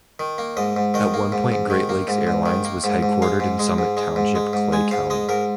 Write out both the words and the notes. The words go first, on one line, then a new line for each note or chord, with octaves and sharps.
At one point Great Lakes Airlines was headquartered in Summit Township, Clay County.
D#3
A#3
G#2 D#5
G#2
D#3 D#5
A#3
G#2
G#2
D#3
A#3
G#2
G#2
D#3
A#3
G#2
G#2
G#3 F5
G#2
G#3
G#2
G#3
G#2
G#3
G#2
G#3 G#5
G#2 F5
G#3 D#5
G#2 A#4